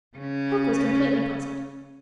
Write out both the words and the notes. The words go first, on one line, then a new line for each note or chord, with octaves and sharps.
Hook was completely puzzled.
C#3 C#4